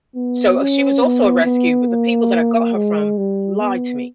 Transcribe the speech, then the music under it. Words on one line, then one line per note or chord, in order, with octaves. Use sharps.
so she was also a rescue, but the people that I got her from lied to me.
B3
C#4
B3
B3
A#3
G#3
G3
B3